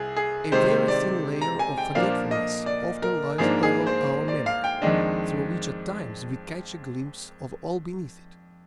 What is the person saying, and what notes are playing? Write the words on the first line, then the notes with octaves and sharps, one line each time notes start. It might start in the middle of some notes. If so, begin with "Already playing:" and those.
A very thin layer of forgetfulness often lies over our memory, through which at times we catch a glimpse of all beneath it.
Already playing: C2 G#4
G#4
C3 D#3 G#3 C4 C5
D5
A#5
G#5
G5
A#2 F3 A#3 D4 F5
D#5
D5
A#4
G#2 F3 A#3 D4 G#4
G#4
C5
D5
F5
G5
F2 D#3 G#3 D4 D#5